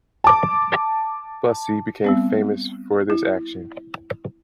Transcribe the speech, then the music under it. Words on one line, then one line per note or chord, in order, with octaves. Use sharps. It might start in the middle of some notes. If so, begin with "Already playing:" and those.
Bussy became famous for this action.
A5 D6
G3 B3 C4
E4